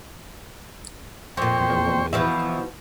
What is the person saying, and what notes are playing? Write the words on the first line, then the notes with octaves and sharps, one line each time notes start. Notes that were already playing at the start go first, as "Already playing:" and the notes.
No one moved.
F2 A#2 C5 G5 C#6
B2 E3 F3 E4